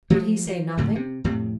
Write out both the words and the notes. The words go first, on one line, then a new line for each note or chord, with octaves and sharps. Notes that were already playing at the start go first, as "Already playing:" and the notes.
Did he say nothing?
F3 G3 A3
F3
F2 A2 D3
C3
F2 A2 C3